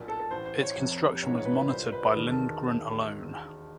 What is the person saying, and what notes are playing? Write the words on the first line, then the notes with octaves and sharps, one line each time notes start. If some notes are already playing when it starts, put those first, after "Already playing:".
Its construction was monitored by Lindgren alone.
Already playing: B1 A#2
A4
A4
A1 A2 E3 C5
C5
C#5
F1 F2 C3
A#1 G#2 E3 C#5
C#5
B4
B4
C2 A#2 C5
B4
B4
E1 D#2 D#3 A#4
A4